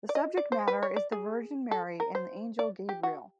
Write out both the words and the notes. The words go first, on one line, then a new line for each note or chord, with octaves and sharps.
The subject matter is the Virgin Mary and angel Gabriel.
D5
D#5
D5
C5
B4
C#5
D5
G#4
A4
A#4
C5
D5
G4
F#4